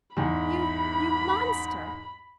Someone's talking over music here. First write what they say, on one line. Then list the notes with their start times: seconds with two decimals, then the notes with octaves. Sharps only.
"You--you monster!"
0.17 E2 G#2 B5